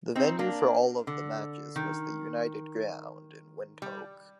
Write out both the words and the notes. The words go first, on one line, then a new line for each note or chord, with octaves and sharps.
The venue for all of the matches was the United Ground in Windhoek.
C4 D#4
A#3 D4
D3
D#3
G3